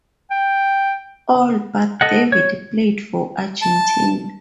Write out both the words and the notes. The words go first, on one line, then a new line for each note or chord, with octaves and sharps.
All but David played for Argentina.
G5
A4 D#5 F#5
C#5
A5